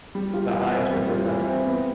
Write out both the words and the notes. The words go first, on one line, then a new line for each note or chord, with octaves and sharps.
The eyes were different.
G3
F4
E3
C4
G3
F4
E3
C4
B3